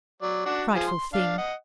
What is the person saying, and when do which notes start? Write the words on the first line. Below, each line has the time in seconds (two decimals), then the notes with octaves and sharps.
Frightful thing!
0.22 F#3 D5
0.46 D4 F#4 D5
0.75 F3 G#4
0.87 C6
1.13 D4 F5
1.38 D#5 F#5